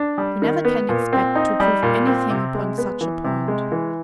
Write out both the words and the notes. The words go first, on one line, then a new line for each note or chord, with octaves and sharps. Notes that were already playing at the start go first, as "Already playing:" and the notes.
We never can expect to prove any thing upon such a point.
Already playing: D4
G3
D#3
B3
A#2
C4
D#4
G3
A#2
C4
C3
G#3
B3
E3
C3
G#3
E3